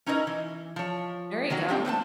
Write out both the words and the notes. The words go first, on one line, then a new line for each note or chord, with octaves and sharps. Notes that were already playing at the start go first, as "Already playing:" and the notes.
There you go.
C#4 D#4 E4 A#4 B4 D#5
E3
F3 C#5
D#3 E3 F#3 F#4
C4 D4 G4
B4 C5 F5 A5